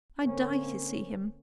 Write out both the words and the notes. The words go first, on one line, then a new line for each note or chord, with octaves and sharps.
I die to see him.
D3 A#3 C4 C#4